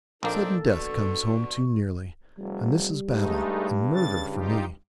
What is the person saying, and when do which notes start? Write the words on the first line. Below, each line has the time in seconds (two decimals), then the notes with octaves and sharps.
Sudden death comes home too nearly, and this is battle and murder for me.'
0.23 A#1 A#3 C4 D4 D#4 A4
0.67 B2 D3 C#6
2.38 F1 G3
3.11 G2 G#3 A3 D#4
3.95 C#3 A6
4.30 D#4 F4 G4